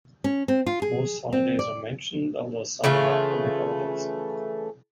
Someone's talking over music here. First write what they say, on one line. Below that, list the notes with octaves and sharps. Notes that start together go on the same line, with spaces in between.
Most holidays are mentioned, although some are not public holidays.
C#4
C4
F4
G#4
C4
D5
C#3 E3 A3 F4